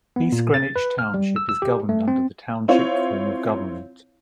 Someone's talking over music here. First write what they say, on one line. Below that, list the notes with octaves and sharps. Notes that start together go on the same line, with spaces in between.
East Greenwich Township is governed under the Township form of government.
B3
A#2
A6
B4
F6
G3
E6
E6
G4
A3
C4
C4 E4 F4 C#5 F5